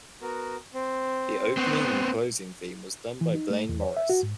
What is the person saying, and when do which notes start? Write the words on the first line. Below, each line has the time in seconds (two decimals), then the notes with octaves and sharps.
The opening and closing theme was done by Blain Morris.
0.22 B3 F#4 A#4
0.74 C4
1.57 B3 C4 C6 C#6
3.21 E3
3.34 D#4
3.50 A3
3.69 E2
3.83 C#5
3.97 E5
4.10 F#4
4.23 G#2